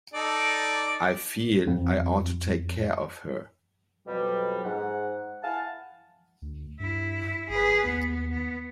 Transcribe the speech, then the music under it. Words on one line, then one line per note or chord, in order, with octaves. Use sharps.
I feel I ought to take care of her.
D#4 A4 D5
F2
F2 B2 F#3 G3
G#2 F#5
E4 F5 F#5 G#5 A5
D2
G2 E4
G#1 G#4 B4
D#2 B3
B3